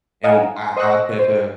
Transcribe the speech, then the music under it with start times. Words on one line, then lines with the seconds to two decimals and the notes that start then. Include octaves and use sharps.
and I I'll catch her
0.24 D#5 F5 F#5 G#5 A#5
0.56 C6
0.76 C5 D#5 C#6 E6 F#6 A#6
1.19 C5